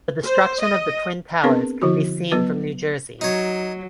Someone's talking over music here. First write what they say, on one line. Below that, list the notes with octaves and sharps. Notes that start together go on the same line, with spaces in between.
The destruction of the twin towers could be seen from New Jersey.
C5
D#5
B3 C4 D4 G#4 A#4 B4
D3 F3 E4 F#4
F#3 B3 F4 B4
F#3 D#4 C#5